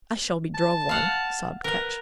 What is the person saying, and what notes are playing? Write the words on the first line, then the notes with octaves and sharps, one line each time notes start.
"I shall be drove one," sobbed Ketch.
A5
F5 F#5
A#4 B4